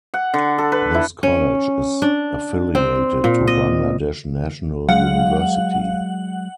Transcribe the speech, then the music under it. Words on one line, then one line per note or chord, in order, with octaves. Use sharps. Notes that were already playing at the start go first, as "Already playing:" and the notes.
This college is affiliated to Bangladesh National University.
F#5
D3
A4
B4
E4
C#4
D4
C4
A#2
D#5
F#3 G#3 F5 F#5